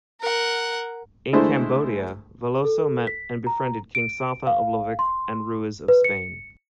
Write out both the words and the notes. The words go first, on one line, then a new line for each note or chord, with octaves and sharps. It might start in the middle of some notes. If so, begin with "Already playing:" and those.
In Cambodia, Veloso met and befriended King Satha of Lovek and Ruiz of Spain.
A#4 F#5
D3 G#3 A3 E4 C5
A4
B6
A#5
D7
F5
C6
B4
C#7